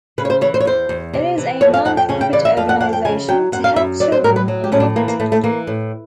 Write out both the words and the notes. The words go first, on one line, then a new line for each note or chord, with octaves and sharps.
It is a non-profit organisation to help children in need.
C#3 B4
C#5
C5
E3 C#5
C5
C#5
E2 C5
E2
C3
E3
F2 C#5
F5
F2 F#5
G5
C#3 G#5
G5
E3 D5
E5
F2 F5
F#5
F2 F#5
G5
C#3 G#5
F#3 G5
F#2 F#5
F5
F#2 E5
F#3 D5
C5
A2 A#4
B4
F#3
G4
A2 C#4
D4
E3 A#3
A#3
A2 A3
A3
E3 A#3
A2